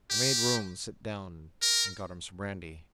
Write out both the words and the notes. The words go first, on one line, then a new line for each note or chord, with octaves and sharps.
I made Rooum sit down, and got him some brandy.
G4
A#4